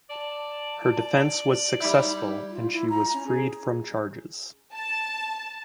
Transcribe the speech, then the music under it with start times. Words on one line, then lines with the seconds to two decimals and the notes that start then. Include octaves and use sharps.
Her defense was successful and she was freed from charges.
0.10 D5 A5
1.81 G3 D#4 E4
2.51 F4
2.72 E4
2.90 A#5
3.13 C#4
3.27 G#4
4.73 A5